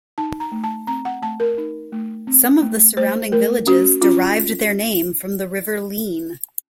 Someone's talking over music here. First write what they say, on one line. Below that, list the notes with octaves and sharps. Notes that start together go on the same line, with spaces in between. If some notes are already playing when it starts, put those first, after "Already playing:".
Some of the surrounding villages derived their name from the River Leen.
D#4 A5
A#5
A3
A5
C4 A#5
F#5
A3 A5
A#4
D#4
A3
C4
A3
A3 C5
A3 A#4
C#4 F#4
C#4 F4